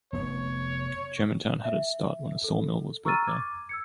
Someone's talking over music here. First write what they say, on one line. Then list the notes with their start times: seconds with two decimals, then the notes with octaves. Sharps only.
Germantown had its start when a sawmill was built there.
0.13 F1 B3 C#5
1.64 E5
2.44 A4
3.05 A#5 C#6 E6 F6 A6 D#7
3.27 D6 G#6
3.69 E6 G#6 C#7